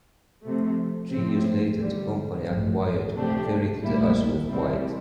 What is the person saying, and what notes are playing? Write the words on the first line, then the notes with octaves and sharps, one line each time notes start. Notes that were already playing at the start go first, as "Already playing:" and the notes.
Three years later the company acquired a ferry to the Isle of Wight.
C3 F3 A3
A2 F3 C4
E2 D3 G3
A1 G2 F3
C3 F3 A3 D4 G4
A#1 A2 G3 A#3 E4
C3 E3 G3 C4 E4